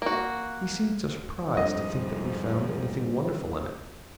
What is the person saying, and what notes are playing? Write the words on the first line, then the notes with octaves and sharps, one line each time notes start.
He seemed surprised to think that we found anything wonderful in it.
A#3 F#4
F2 G#2 G3 C4 D4 D#5